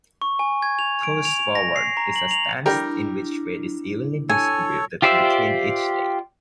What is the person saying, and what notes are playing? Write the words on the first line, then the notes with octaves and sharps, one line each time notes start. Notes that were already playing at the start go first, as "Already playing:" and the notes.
Toes Forward is a stance in which weight is evenly distributed between each leg.
C#6
G#5
G#6
F7
D7
F7
F7
A#6
C7
A#5
F#7
F7
G3 D4 E4 A#4 G5
A4 C#5 G#5
F4 G4 C5 D5 E5